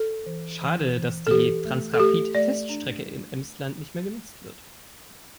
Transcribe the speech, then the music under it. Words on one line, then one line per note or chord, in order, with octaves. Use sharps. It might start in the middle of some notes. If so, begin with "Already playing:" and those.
Schade, dass die Transrapid-Teststrecke im Emsland nicht mehr genutzt wird.
Already playing: A4
E3
E3
E3
A4
E3 G4
A3
A4
A3 G4
A3 D5
D4